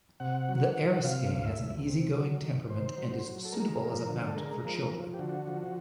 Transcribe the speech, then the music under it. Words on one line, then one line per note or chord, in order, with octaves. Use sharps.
The Eriskay has an easy-going temperament and is suitable as a mount for children.
C3 F#5
F#3
F#3
F#5
C3 F5
D2 F5
E5
D2
C3
F#3
D#3
D#3 C5
F#3
F#3
A4
G#3 A#4
F3
D3
A4
G#3 A#4
F3
F3
G4
D3 F#4
F3